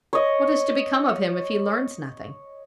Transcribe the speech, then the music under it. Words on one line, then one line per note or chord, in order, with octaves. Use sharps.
"What is to become of him if he learns nothing?"
C#5 D#5